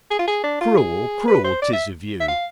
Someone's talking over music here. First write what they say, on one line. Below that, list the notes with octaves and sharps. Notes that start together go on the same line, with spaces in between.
"Cruel, cruel, 'tis of you!"
G#4
F4
G#4
D4
F4
G#4
B4
C5
D5
E5
E5
F5